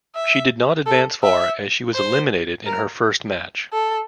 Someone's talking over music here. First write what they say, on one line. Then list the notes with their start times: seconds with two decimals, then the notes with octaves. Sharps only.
She did not advance far as she was eliminated in her first match.
0.15 E5
0.86 A4
1.23 E5
1.94 C5
2.66 A#4
3.72 A4